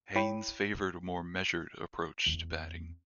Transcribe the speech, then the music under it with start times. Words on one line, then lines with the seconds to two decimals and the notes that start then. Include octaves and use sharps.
Haynes favoured a more measured approach to batting.
0.16 E4 C#5 G5 B5
2.26 E2 B3